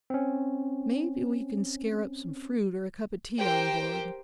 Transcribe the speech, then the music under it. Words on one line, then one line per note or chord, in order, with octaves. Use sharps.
Maybe we can scare up some fruit or a cup of tea on board.
C4 C#4
G4 A#4 C5 G5